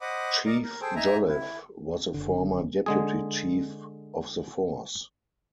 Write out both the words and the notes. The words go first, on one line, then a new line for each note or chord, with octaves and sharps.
Chief Jolliffe was a former Deputy Chief of the force.
C5 D#5 F#5 B5 D6 D#6
A#4 D5 D#5 A#5
A#4
G#4 A4 C5 G5
D#4 E5 G#5 A#5
E4
F#1 D3
D3 G#3 G#4